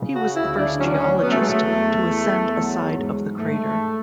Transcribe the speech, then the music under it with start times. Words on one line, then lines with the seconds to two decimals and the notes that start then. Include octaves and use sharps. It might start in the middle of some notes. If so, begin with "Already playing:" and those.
He was the first geologist to ascend a side of the crater.
Already playing: C#3
0.13 F#4
0.35 D2 E4
0.57 D4
0.78 F#3 C#4
0.85 D4
0.93 C#4
1.22 F#3 B3
1.30 A3
1.40 G#3
1.48 A3
1.65 E2
2.08 E2
2.52 F#3
2.95 G#2
3.38 G#2 A3